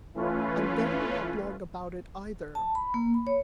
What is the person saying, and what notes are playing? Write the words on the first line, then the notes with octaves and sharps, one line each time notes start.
And they were not long about it either.
E3 A3 C#4 F4 B4
A5
B5
A#3
B5
C#5